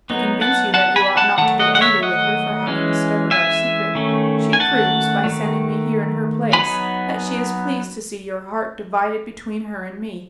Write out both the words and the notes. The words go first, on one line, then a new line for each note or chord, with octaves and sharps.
To convince you that you ought not to be angry with her for having discovered our secret, she proves, by sending me here in her place, that she is pleased to see your heart divided between her and me.
F#3 B3 D#4
F#5 A5
F#5 A5
G#5 B5
F#5 A5
D#3 F#3 A3 F#5 A5
D#5 F#5
F#5
C#5 E5
D#5 F#5
E3 G#3 C#4
E5 G#5
D#3 A3 C#4
G#5
F#5 A5
D#3 F#3 A3
F#3 B3 D#4 G#5 B5